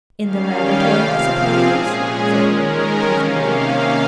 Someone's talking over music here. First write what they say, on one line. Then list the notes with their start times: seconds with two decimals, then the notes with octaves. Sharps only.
"In the laboratory, I suppose," said Anne teasingly.
0.21 D#3 G3 C#4 F5
0.58 G5
0.93 C3 F3 C4 F5
1.30 G#4
1.66 A#2 G#3 C#4
2.39 D#3 G#3 C#4 A#4
3.12 C3 D#3 A#3 C#4 F5
3.50 F5